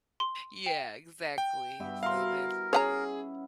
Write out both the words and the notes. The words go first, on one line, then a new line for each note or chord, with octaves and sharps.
Yeah, exactly, so there's
C6
G5
G5
G2 B3 E5
E4 F#4 A#4 F5 C6
C#4 G#4 C#5 F#5 A#5